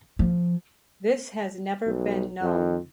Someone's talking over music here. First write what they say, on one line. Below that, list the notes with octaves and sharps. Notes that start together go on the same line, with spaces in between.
This has never been known.
F3
B1
F2